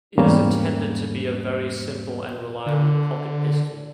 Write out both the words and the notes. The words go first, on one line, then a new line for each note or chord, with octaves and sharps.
It is intended to be a very simple and reliable pocket pistol.
E2 G#2 G3 A#3 C#4
D3